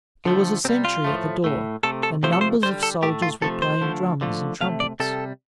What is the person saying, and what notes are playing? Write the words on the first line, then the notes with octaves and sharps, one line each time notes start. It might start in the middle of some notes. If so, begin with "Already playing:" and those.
There was a sentry at the door, and numbers of soldiers were playing drums and trumpets.
D3 F3 A3
C3 G3 C4
F4
A2 F3 A3
A2 A3
C3 A3 A4
A4
C3 F3 A3 C5
A4
C5
D3 G3 C5
A4
A2 A3 G4
F4
C3 F3 A3 A4
C5
D3 F3 A3
D3 F3 A3
C3 A3 F5
D5
C3 G3 A4